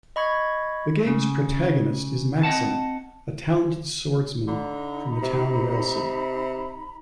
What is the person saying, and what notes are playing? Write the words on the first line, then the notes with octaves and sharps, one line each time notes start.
The game's protagonist is Maxim, a talented swordsman from the town of Elcid.
D#5 B5 C#6 G#6
C#3
C4 D#5 E5 F#5 A5
D3 D#4 A#5 B5
C3